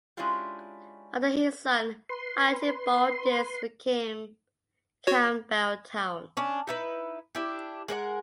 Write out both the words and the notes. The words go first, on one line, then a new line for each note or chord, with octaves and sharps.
Under his son, Archibald, this became Campbeltown.
G#3 C#4 D4 E4 F4 G4
B4 C6
F#4 C#5
C#4 D4
D#4 E4 B4
D4 E4 G4
G#3 A#4 D5 F#5